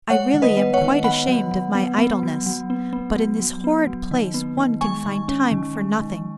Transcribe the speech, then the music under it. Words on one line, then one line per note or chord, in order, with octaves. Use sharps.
I really am quite ashamed of my idleness; but in this horrid place one can find time for nothing.
G#3 C#5 F#5
D#3
B4 D#5
B3
C#5 F#5
D#3
B3 F#5 B5
F#3
F#3
B3
B3
F#3
F#3
B3
B3
F#3
F#3
B3
F#3
D#3
B3
D#3
G#3 G#5 C#6
D#3
C#4
D#3
G#3
D#3